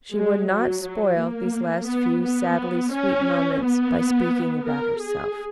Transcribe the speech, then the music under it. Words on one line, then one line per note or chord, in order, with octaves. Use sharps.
She would not spoil these last few sadly-sweet moments by speaking about herself.
G#3
F#3
F#3
A#3
B3
B3
C#4
B3
A#4
G#4